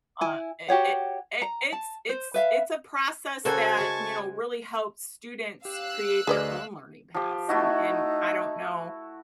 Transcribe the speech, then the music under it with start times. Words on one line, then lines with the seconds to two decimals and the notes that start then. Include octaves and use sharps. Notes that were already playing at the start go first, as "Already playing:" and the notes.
uh, i i i it's it's it's a process that, you know, really helps students create their own learning paths, and and, I don't know
0.21 E4 G#5
0.69 F#4 G4 C#5 F#5
1.42 A#5
1.73 A5
2.09 C5
2.34 B4 E5 F5
3.45 C#3 F#3 F#4 A4 A#4 C5 G#5
3.77 G#3 E5 A5 C#6
5.65 G4 F5 E6 F#6
6.27 D2 G#4 B4 D5 D#5 F6
7.14 F3 G4
7.49 A3 D#4 E4 F#4